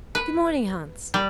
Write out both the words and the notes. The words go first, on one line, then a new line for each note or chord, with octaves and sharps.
'Good morning, Hans.
B4
G3